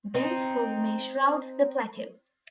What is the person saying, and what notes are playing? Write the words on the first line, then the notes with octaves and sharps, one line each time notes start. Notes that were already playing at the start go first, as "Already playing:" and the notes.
Dense fog may shroud the plateau.
C4 D#4